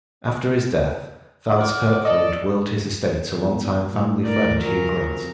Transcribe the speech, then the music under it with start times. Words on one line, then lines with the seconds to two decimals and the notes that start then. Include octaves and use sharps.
After his death, Vance Kirkland willed his estate to longtime family friend Hugh Grant.
1.59 A#4 D5 F#5
2.05 A4 D5 D#5
3.38 E2
3.91 A2
4.24 A#4 D5
4.60 C#3 F3 F#3 A#4
4.96 F2